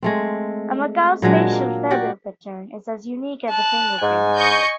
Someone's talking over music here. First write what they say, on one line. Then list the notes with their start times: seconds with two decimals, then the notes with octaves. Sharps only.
A macaw's facial feather pattern is as unique as a fingerprint.
0.03 G#3 A3 C4
1.22 A#2 F#3 G#3 D4
1.52 A#3
1.91 F#4 G4 D5
3.50 A5 F#6
4.02 G#2 G#5
4.38 D#5 C#6 G6